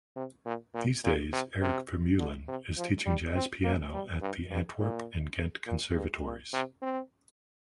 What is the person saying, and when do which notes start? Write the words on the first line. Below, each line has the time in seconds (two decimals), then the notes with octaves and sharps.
These days, Erik Vermeulen is teaching jazz piano at the Antwerp and Ghent conservatories.
0.16 C3
0.46 A#2
0.74 A#2
1.04 A#2
1.32 C3
1.61 C3
2.19 D3
2.48 C3
2.78 F3
3.06 G3
3.35 C4
3.64 A#3
3.93 G3
4.22 G2
4.50 G2
4.79 A#2
5.67 A#2
5.96 G2
6.25 A#2
6.53 C3
6.82 C4